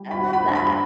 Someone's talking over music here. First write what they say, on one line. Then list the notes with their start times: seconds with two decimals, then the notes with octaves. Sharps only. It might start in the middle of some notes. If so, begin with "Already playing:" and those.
I love that.
Already playing: G3
0.11 B5
0.18 G#1
0.33 B5
0.48 G2
0.55 B5